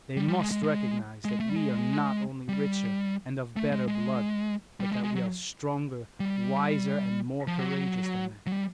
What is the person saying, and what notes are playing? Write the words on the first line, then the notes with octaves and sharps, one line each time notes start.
They must recognize that we are not only richer and of better blood, but that we are stronger, wiser, and more courageous than they.
G3
G3
G#3
G#3
G#3
G#3
A3
G3
G#3
G3
A3
G#3
G#3
G3
G#3
G#3
F#3
G3
F3
F#3
F#3
G3